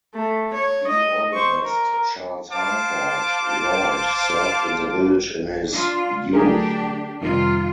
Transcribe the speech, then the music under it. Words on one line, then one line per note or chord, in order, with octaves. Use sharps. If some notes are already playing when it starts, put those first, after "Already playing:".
The organist Charles Harford Lloyd served in the village in his youth.
A3
C#5
D#5
C5 C#6
A#4
C5 F5 A5 D6
D4 F4
D3 F#3 A3 D4 G4 G#4 A#4
F2 C3 D#3 G3 F4